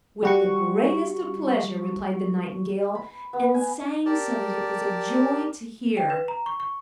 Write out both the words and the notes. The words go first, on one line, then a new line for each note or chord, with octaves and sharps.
"With the greatest pleasure!" replied the Nightingale, and sang so that it was a joy to hear it.
G3 F#4 C#6
B5
B3
G#5
G4 A#4 D5 A5
G5
B4
A#5
C#6
C#6